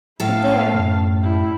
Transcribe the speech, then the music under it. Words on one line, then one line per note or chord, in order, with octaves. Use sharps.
But there!
A2 E4 A4 F5
F#2
G3 E4